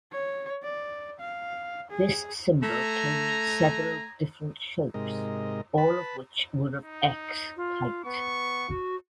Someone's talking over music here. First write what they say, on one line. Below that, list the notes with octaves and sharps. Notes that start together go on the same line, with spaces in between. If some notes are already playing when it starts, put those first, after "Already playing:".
This symbol came in several different shapes, all of which were of x-height.
C#5
D5
F5
G#4
A3 G#5 A#5
G#2 C3 G#3 A#4 D#5
B4 A5 B5
D#4
F4
B3 C#6
F#4